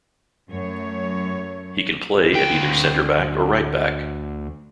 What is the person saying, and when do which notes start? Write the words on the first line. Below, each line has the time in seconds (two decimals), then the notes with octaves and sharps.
He can play at either centre back or right back.
0.50 F#2 A3 C#5
2.34 D2 G5